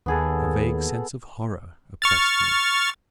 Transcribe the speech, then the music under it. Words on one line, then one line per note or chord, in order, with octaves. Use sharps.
A vague sense of horror oppressed me.
D#2 B3 G#4 A4
C#6 F6 A6